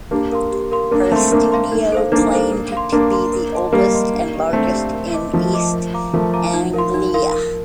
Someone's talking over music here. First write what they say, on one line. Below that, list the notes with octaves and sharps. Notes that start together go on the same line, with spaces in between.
Her studio claimed to be the oldest and largest in East Anglia.
A#3 D4 G4
A#4 F5 C6
G4
A#4 F5 C6
A#3 D4 A#4
A3 C4 F5 C6
A#3 D4 A#4
F5 C6
D#4
A4 C5 F5
A#3 D4 D#4
A4 C5 F5
A#4
F5 C6
A#3 D4 A#4
F5 C6
A#4
D#5 A5 C6
G3 A#3 A#4
D#5 A5 C6
D4
G4 D5 F5
A3 C4 D4
G4 D5 F5
A#4
D#5 A5 D6
F3 A3 A#4
D#5 A5 D6
A#4
F5 A#5 D6
F3 A3 A#4
F5 A#5 D6
D#4
A#4 F5 C6
D#4
A#4 F5 C6
A#4